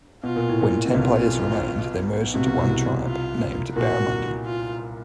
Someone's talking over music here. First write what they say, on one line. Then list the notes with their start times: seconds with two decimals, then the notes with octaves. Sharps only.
When ten players remained, they merged into one tribe, named Barramundi.
0.23 B2 F4
0.36 A#2
0.48 A2
0.60 A#2
0.85 C3
0.94 B1 B2 F4
2.34 C3 F#4
2.47 B2
2.58 C2 C3
3.05 F4
3.75 A#2 F#4
4.46 F4